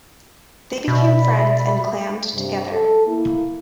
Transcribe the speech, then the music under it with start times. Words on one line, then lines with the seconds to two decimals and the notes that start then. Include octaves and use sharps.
They became friends and clammed together.
0.88 B2 D5 E5 B5
2.33 G2 C3
2.72 A4
3.06 A#3 E4